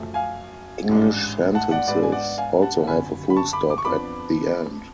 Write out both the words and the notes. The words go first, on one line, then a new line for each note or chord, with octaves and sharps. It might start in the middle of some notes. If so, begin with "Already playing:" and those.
English sentences also have a full stop at the end.
Already playing: F#2 F3 A3
F5 G#5
A1 G#2 G#3 D4
F#5 A5
D5 F#5
G#2 G#3 B3 D4 B4 D5
G#5
D5 F#5
F5 G#5
F#5 A5
F#1 F2 D3 G#5 B5
B5
A5 C#6
B5 D6
D6
C#6
F2 F3 B3 D4 B5 D6